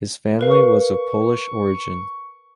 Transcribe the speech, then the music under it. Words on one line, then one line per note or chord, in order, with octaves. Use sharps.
His family was of Polish origin.
A#4 B4 F5
C#6